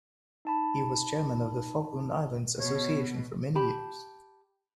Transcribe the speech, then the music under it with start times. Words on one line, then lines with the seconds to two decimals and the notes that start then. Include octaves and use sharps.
He was chairman of the Falkland Islands Association for many years.
0.45 D#4 A5 B5
2.60 B2 C#5
3.55 G4 A5 B5